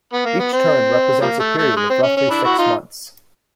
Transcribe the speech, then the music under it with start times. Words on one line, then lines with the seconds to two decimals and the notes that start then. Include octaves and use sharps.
Each turn represents a period of roughly six months.
0.13 B3
0.25 A#3
0.39 B3
0.53 C4
1.21 F3 G3 A#3
1.40 A3
1.58 A3
1.76 G#3
1.90 C4
2.03 C#4
2.17 C#4
2.30 D4 E4
2.44 E4 F#4
2.58 D#4 F4